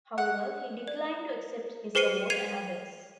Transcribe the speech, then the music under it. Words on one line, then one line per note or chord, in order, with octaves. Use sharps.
However, he declined to accept this award and others.
F#5
D5
G#4 B4 C5 C7 C#7 D#7
G#6 C7 D#7 F7